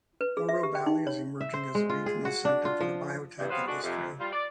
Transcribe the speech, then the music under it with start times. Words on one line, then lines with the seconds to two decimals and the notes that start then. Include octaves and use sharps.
Oro Valley is emerging as a regional center for the biotech industry.
0.21 B4
0.37 G#4
0.49 E5
0.63 G4
0.75 G5
0.86 D#4
1.07 C#5
1.41 E5
1.54 C5
1.75 G#3
1.90 F4
2.06 G#4
2.25 F#4
2.45 D4
2.65 F4
2.81 F3
3.39 E2 G2
3.51 F#3 G3 B3 B4 C5 F5
3.67 G#3 A3 D4 F#4
3.83 F2 C3
4.20 G3 F4
4.33 D5